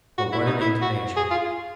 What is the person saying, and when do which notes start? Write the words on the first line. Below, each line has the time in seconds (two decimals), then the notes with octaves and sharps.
But what an intonation!
0.18 F#4
0.32 E4
0.46 D#4
0.61 E4
0.82 F#4
1.16 G#4
1.31 F4